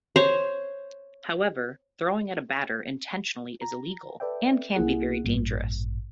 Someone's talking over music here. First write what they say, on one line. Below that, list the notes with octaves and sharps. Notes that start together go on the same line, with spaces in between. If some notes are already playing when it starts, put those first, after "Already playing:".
However, throwing at a batter intentionally is illegal, and can be very dangerous.
C5 C#5
A#5
A4 B4 D5 E5 G5
C2 A#3 E4 G#4 F#5
A1 G2 A#2